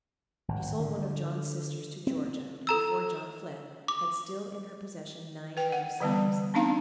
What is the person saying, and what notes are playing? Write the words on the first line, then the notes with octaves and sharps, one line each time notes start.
She sold one of John's sisters to Georgia, and before John fled, had still in her possession nine head of slaves.
G#1
D3
C4
A4 A#5 E6
D6
B4 G5
F#5
D3 E3 G3 B3
B3 C4 D4 D#4 F5 A#5